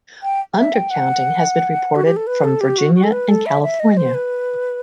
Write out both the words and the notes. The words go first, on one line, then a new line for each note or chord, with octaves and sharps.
Undercounting has been reported from Virginia and California.
G5
E5
G5
F#5
F#4
G4
A4
B4
A4
G4
F#4
F#4
A4
B4
A4
E5
E5
D#5
C5
B4